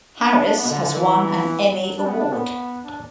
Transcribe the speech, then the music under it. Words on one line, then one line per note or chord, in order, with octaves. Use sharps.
Harris has won an Emmy Award.
D4
D4
D4
B3
B2
D3
D3
E3
F#3
D4
B3
D4
B3
D4